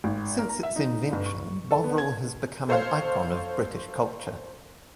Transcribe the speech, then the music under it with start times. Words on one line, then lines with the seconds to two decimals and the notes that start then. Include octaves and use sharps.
Since its invention, Bovril has become an icon of British culture.
0.04 G#1
0.38 A#4
0.49 A#5
0.63 E5
0.76 D#4
1.12 G1
1.26 C#6
1.71 A4
1.84 B3
1.98 G#6
2.69 A4 C5 C#5 F5